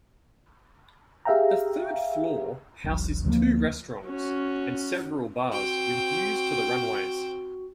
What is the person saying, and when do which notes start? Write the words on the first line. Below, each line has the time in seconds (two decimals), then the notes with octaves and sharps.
The third floor houses two restaurants and several bars with views to the runways.
1.25 G4 G#4 E5 F5 G5 A#5
2.84 E1 B1
3.25 D2 F3 F#3 A#3
4.07 C#4 F#4
5.51 C4 F#4 G5